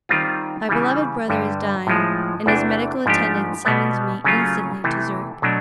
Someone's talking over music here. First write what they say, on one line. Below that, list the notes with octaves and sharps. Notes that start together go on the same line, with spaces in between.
My beloved brother is dying and his medical attendant summons me instantly to Zurich.
D#3 G3 C4 F4
C#3 E3 G3
G2 D3 G3
A2 F3 G#3
E2 C3 E3 A3 D4
G#2 F3 A3 D4 G4
B2 G3 B3
C#3 F#3 A3 C#4 F4
C3 E3 A3
B2 F#3 A3 D4